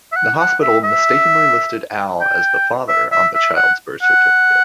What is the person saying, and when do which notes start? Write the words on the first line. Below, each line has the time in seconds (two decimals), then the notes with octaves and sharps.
The hospital mistakenly listed Al as the father on the child's birth certificate.
0.12 E5
0.16 F#5
0.40 F#5
0.62 E5
0.84 E5
2.21 G5
2.88 E5
3.12 E5
3.35 E5
3.56 F#5
4.02 F#5